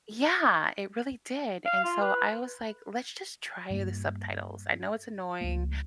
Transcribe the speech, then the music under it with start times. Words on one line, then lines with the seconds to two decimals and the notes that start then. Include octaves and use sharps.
Yeah, it really did. And so I was like, "Let's just try the subtitles. I know it's annoying.
1.66 F5
1.84 F4
2.00 B4
3.70 G2 G3 A#3
5.41 C#2 F3 A3 A#3